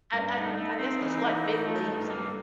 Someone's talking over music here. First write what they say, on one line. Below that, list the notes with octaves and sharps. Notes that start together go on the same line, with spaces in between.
I I I guess 'cause, like, big leaves and
G2 C#4
A3 D#4
A3
C4
E3
E3
A3
A3
G2
A#3 G4
A4